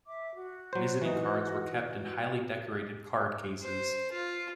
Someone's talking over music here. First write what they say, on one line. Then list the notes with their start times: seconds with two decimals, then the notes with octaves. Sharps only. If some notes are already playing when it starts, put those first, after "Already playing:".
Visiting cards were kept in highly decorated card cases.
0.07 E5 D6
0.34 F#4
0.73 F#3 C5
1.02 E3 D#4
3.62 C5
4.12 F4